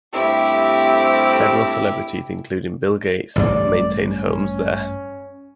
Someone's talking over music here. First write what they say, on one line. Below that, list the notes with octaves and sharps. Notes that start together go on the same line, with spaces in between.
Several celebrities, including Bill Gates, maintain homes there.
G2 A3 C4 E4 G4
A1 G2 G3 D5
C#4